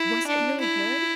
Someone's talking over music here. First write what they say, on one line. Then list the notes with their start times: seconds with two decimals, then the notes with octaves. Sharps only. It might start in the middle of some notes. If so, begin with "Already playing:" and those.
Was it really good?
Already playing: E4
0.26 D4
0.60 E4